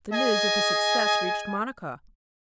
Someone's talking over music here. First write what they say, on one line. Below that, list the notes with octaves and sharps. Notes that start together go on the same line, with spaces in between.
The news of his success reached Monica.
G#4 D#5 G#5